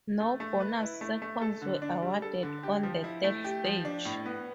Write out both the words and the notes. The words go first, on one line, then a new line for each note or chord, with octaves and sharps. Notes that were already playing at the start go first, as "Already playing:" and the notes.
No bonus seconds were awarded on the third stage.
A3
A3
B4
E4
A3
A3
A4
D3
D4
G3
A4
D3
G4
F3
E4
A3
G4
F3
D4
A2
B3